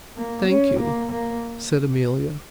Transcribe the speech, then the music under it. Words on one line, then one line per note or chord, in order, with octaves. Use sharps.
"Thank you," said Amelia.
A#3
C#4
A#3
A#3